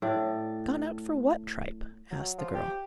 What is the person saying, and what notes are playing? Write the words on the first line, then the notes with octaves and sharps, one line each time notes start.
"Gone out for what tripe?" asked the girl.
A2 D5
F#3
F3
G4